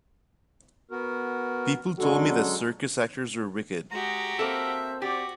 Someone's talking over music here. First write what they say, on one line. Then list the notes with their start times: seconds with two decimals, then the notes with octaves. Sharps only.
People told me that circus actors were wicked.
0.91 B3 F#4 A#4
1.99 F#2 D3 F#3 G#3 F#4 A4
3.91 G#3 F#4 G4 A#5
4.39 A#3 C4 A4 E5
5.02 F#4 G4 D5